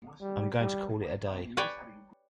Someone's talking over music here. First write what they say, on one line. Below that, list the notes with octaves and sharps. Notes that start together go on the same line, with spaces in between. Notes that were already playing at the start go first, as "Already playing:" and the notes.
I'm going to call it a day.
G3
G3
B4 C#5 D5 G5 G#5